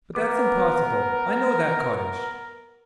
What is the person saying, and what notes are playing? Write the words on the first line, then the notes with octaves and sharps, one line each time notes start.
But that's impossible--I know that cottage.
B3 A#4 B4 D6